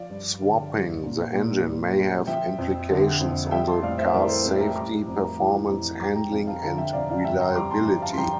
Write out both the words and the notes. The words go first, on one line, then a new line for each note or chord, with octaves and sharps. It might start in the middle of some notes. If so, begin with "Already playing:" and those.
Swapping the engine may have implications on the cars safety, performance, handling and reliability.
Already playing: F3 D5 F5
G2
D3
G2
A#2
A#2
G3
G3
F3 E5 G5
F2
D3
F2
G3 E5 G5
A5 C6
A2 D5 F5
C5 E5
E3 A#4 D5
A4 C5
A2 A4 C5
G5 A#5
G3 A#5 D6
F2
E3
F2
G3 A#5 D6
G5 A#5
F2 F5 A5
F5 A5
A#5
D3 F5 A5
E5 G5
F2 D5 F5
D5 F5
A5
G2 E5 G5
G5 A#5
C6
G2 A#5 D6
A5 C6
F3 G5 A#5
F5 A5
C6
F3 G5 A#5